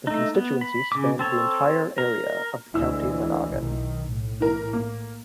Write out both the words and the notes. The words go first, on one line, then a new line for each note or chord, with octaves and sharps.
The constituency spanned the entire area of the County Monaghan.
A3 D#4
B3
B5
C#3 D6
C4 A4 C#5
A#4
D2 E3 G#3 E4 E6
B1 D#3
A2
E3 A#4
A#3